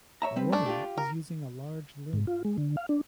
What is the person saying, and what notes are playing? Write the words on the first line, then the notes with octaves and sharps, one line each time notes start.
A woman is using a large loom.
C#5 E5 A#5
G3 C4 B4
G#2 A3 D4
F4 G4
A#4
G#2
F4
G#3
D3
F5
D4